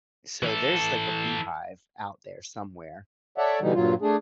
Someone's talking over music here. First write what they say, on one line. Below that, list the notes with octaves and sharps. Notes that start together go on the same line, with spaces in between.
So there's like a beehive out there somewhere
E3 A4
A4 C#5 D5 E5 F#5
B2 D3 E3 G3 D#4
G2 A#2 F#3 F4
A3 D4 G#4